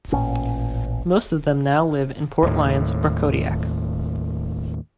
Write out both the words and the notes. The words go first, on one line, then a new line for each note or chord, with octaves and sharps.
Most of them now live in Port Lions or Kodiak.
A1 A#2 C#4
D#2 A2